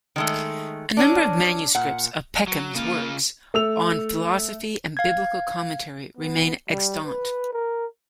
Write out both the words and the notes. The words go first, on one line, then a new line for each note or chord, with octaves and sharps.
A number of manuscripts of Peckham's works on philosophy and biblical commentary remain extant.
D#3 G#3 A3
F#3 C#4 D4
A#2 F#5
F#3
C#3 A#3 F4
A3 E6 F7
F5 G#6
B3
G3
B4
A#4